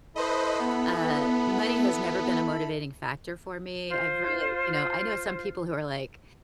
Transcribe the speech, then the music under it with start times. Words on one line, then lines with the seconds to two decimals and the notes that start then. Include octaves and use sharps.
uh, money has never been a motivating factor for me, I've really you know, I know some people who are like,
0.16 E4 A4 B4 C5 D#5 B5
0.59 B3
3.89 F4 C5